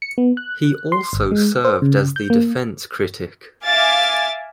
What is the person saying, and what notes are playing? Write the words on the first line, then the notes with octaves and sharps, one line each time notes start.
He also served as the defence critic.
C#7
B3
F#6
C6
G1
G#3
C5
C#3
G6
A#3
E5 F5 G#5 D6 A6